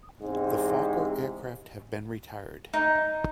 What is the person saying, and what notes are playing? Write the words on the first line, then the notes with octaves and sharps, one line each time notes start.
The Fokker aircraft have been retired.
E2 G#2 C3 C4
D#4